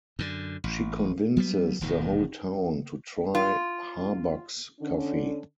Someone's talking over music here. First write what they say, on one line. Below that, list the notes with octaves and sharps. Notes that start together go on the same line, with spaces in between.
She convinces the whole town to try Harbucks Coffee.
F#2 D3
A1
F#3 G3 B3
E1 D#2 A2 D#3
F4
D3 C#4 D4